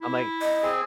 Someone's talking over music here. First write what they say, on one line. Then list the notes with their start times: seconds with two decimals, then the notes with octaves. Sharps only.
I'm like
0.01 E4
0.41 D#5
0.63 C4 G#4